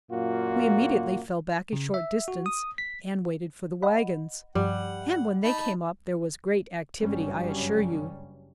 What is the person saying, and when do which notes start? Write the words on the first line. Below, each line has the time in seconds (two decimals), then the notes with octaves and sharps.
We immediately fell back a short distance and waited for the wagons, and when they came up there was great activity, I assure you.
0.12 F#2 A#2 A#3 F4 F#4
1.73 C#3
1.94 E5
2.28 F#4
2.46 D#6
2.78 B6
3.82 D#5 F#5 B5
4.55 G2 F3 G3 F#5
5.44 D#4 A5 B5
7.01 F#1 G2 C#3 F#3 G3 C#4